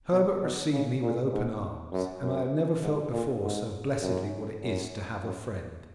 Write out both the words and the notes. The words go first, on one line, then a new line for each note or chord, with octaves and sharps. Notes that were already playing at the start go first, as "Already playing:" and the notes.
Herbert received me with open arms, and I had never felt before so blessedly what it is to have a friend.
B2
B2
C#3
A#2
G#2
F#2
F#2
G#2
A#2
G#2
F#2
F#2
F#2